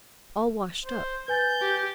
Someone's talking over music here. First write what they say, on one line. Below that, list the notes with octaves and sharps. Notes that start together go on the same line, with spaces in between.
All washed-up!
C5
B4 G#5 G6 A6
G4